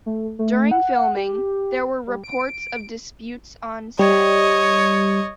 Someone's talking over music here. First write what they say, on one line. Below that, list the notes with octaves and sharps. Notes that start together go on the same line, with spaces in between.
During filming, there were reports of disputes on set.
A3
A3
F#5
G4
G3
D7
G3 C#5 D#5